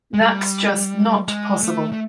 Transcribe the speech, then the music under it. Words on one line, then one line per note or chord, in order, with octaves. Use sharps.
That's just not possible.
G#3
G3
G#3
A3
A3